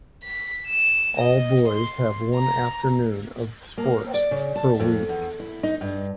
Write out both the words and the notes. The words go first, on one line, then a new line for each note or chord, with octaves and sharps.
All boys have one afternoon of sports per week.
B6
E7
D#5
C6
A#5
A#3
D5
C#3
A5
F2
E2
E4
D#4
G2